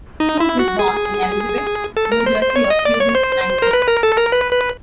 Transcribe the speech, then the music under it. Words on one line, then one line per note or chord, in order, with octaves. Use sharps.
Cruz was born in Elizabeth, New Jersey of Cuban ancestry.
D#4
E4
F#4
G#4
A4
A#4
C5
C5
C#5
D#5
D5
C#5
C5
A#4
B4
A#4
A4
A#4
B4
B4